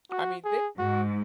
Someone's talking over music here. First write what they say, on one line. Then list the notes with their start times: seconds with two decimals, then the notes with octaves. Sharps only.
I mean, they
0.11 F#4
0.44 G#4
0.78 G#2 F#4